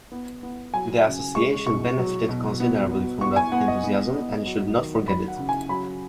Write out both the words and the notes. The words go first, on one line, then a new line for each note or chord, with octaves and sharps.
The Association benefited considerably from that enthusiasm and should not forget it.
B3
B3
F#3 G#5
C#3
G#3 C#6
B2 C#6
F#3
B2
B3
B3
B3 C#6
G#5
B3 F#5
D#5
B3
B3
F#3
D#3
F#3 B5
F#5
C#3
G#5
F#3 B5